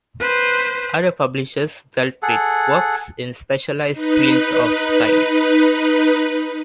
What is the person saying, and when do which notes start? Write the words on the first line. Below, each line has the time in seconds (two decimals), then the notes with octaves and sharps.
Other publishers dealt with works in specialized fields of science.
0.20 B4 C5
2.22 G#4 A4 F#5
3.92 D#4 B4